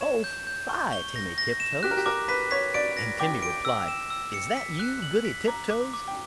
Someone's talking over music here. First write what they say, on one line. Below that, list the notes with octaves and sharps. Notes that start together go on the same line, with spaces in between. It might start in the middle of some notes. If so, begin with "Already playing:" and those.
Oh fie, Timmy Tiptoes!" And Timmy replied, "Is that you, Goody Tiptoes?
C#5 E7
G6
G6
C#6
G7
A#6
A#6
E7
G4 F#6
A#4
G4
A#4 D6
B4 B6
C#5 B6
D5 D7
A#6
G5 D6
D7
E6
E7
E6
C#7
B6
F#6
F#7
B6
A#5 D6
D6
D6
G5